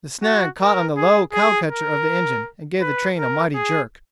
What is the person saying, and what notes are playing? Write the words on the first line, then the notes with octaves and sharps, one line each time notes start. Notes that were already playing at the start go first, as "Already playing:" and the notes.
The snag caught on the low cow-catcher of the engine and gave the train a mighty jerk.
F#4
A#4
G#4
G#4
A#4
B4
A#4
G#4